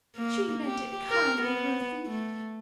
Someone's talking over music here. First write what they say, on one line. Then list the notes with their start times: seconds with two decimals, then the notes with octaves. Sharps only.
She meant it kindly, Ruthie.
0.16 A#3
0.65 G4
1.10 A#4
1.41 B3
2.07 A3